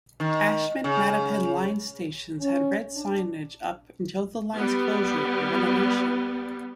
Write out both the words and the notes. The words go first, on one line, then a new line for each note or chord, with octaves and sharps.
Ashmont-Mattapan Line stations had red signage up until the line's closure for renovation.
D#3
C#3
C#4
D4
G3 B3